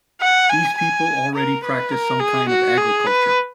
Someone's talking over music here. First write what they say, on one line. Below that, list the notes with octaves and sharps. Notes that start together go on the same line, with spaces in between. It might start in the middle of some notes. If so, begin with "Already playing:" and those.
These people already practiced some kind of agriculture.
F#5
G#5
G#5
A#4
B4
A#4
G#4
F#4
G#4
B4